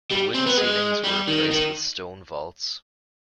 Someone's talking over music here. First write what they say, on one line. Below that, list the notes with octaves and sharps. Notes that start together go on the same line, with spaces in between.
The wooden ceilings were replaced with stone vaults.
G3
C4
B3
G#3
G3
D#3
D#3